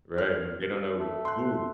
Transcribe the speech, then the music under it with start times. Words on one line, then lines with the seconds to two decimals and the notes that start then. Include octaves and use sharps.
Right. And they don't know who
0.18 F6
1.00 A3
1.25 C6 F#6